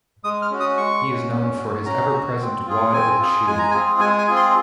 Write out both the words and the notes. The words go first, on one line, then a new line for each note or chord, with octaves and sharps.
He is known for his ever-present wad of chew.
G#3 D#6
F6
C#4 F#4
D#6
G#3 C#6
C#4 F#4
C#4
F#4
C#4 A#5
F#4
C4
F4 G#4
C4 G#5
F4 G#4
G#3 G#5
A#5
C4 F4 G#4 G#5
G#3 G#5
G#5
C4 F4 G#4
C6